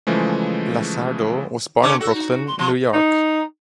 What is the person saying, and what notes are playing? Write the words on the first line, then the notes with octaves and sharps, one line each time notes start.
LaSardo was born in Brooklyn, New York.
C#3 E3 F3 G#3 A3
D3 C#4 D4 D6
F#4 A4
D#4
C6
F3 C6
D#4